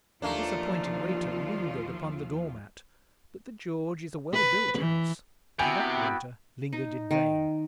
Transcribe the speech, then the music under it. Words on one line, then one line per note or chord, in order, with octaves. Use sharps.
The disappointed waiter lingered upon the door-mat: but the George is a well-built house, and that waiter lingered in vain.
D#2 F3 A3 A#3 D4 F4
B4
E3
C3 B3 E4 F#4 G5 G#5
D#4
D#3